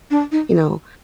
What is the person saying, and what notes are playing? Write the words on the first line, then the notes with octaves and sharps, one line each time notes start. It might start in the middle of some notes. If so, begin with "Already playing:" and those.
you know,
D4
D#4